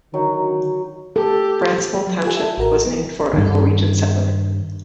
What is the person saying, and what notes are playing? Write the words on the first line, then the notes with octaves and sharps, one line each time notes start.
Brandsvold Township was named for a Norwegian settler.
D3 D#3 F#3 D#4
G4 A4
F#3
F4 G4 A4 G#5
A4 E5
A1 F#4 A#4 A#5
B3
G2 D#3